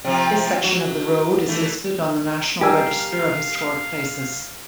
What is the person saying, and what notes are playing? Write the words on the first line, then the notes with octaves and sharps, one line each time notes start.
This section of the road is listed on the National Register of Historic Places.
C3 F3 C4
F#3 F#4
E3 A3
G3 G4 A#4 F5 G#5 E6